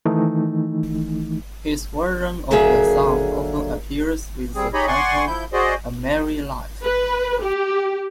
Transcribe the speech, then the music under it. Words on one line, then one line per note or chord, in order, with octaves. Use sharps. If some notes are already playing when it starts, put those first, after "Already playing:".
His version of the song often appears with the title "A Merry Life".
D#3 E3 A3 D#4
D#2 D3 F#3 A#3 G#4 E5
G3 C4 G#4
D#4 G4 G#4 C#5 D#5 B5
D5 F#5 G#5 C6 C#6
F3 E4 G6
F#4 G#4 C5 D5 D#5
B4
G4